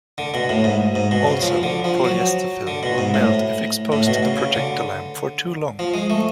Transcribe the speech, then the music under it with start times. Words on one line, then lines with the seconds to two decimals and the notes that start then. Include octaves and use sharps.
Also, polyester film will melt if exposed to the projector lamp for too long.
0.18 D3
0.34 B2
0.49 A2
0.64 G#2
0.95 G#2
1.11 B2
1.27 C#3
1.42 F3
1.63 D3
1.84 F3
2.04 F#3
2.67 D3
2.83 B2
2.98 G#2
3.14 A2
3.92 A2
4.07 B2
4.23 C#3
4.38 C#3
4.54 D3
5.79 F3
5.94 G#3
6.10 A3